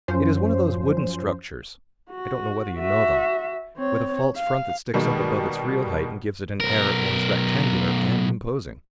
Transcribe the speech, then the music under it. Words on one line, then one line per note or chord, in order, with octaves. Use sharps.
It is one of those wooden structures--I don't know whether you know them--with a false front that sticks up above its real height and gives it an air at once rectangular and imposing.
F#2 F3 C#4 C5
F#4
F#4 E5
C4 C#5
F5
B2 D#3 G3 G#3 A#3
B1 A#4